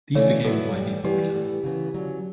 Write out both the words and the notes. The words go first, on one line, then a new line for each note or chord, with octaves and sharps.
These became widely popular.
C#3 E3 A3 D4 C#5
F#3 B3 E4 A4
A2 E3 G3
E3 G3 B3 G4
A2 E3 A3
C#3 E3 B3
D3 F#3 C#4